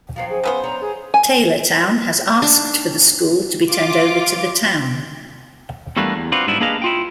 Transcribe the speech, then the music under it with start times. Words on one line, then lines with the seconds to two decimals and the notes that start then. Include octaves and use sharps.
Taylortown has asked for the school to be turned over to the town.
0.16 F3 F#3 C4 F5
0.30 G#4
0.44 C#3 B3 C5 G#5
0.63 D4 C#5 A#5
0.81 G#4
1.14 G#5
2.42 D4
3.70 F4 D6
5.97 E2 G3 A3 A#3 D4 B4
6.15 E2
6.32 C4 D4 F4 F#4 B4
6.47 G#2 G3 B3 D4 E4
6.60 A#3 D4 G#4 B4 D#5 F5
6.82 E4 F4 G5